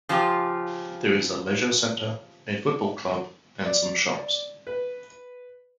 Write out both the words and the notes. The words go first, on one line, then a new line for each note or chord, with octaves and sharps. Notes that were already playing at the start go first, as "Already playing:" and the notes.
There is a leisure centre, a football club and some shops.
C#3 F3 F4 G4
D5
B4